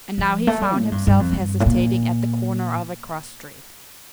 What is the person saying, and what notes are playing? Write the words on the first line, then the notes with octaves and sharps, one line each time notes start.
And now he found himself hesitating at the corner of a cross street.
F3
A3
G3
A2
G2
G2
F2
G2
A2
A#2